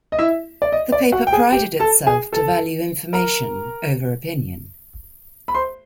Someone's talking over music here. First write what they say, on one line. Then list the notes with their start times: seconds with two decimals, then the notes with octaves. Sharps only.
The paper prided itself to value information over opinion.
0.12 D#5
0.19 E4 E5
0.62 D5
0.72 D#5
0.92 D5
1.12 F#4 F#5
1.27 G5
1.33 G#4 G#5
1.52 G4 G5
1.79 A4 A5
2.07 G#4 G#5
2.33 A4 A5
3.13 A#4 A#5
5.48 B5
5.55 C5 C6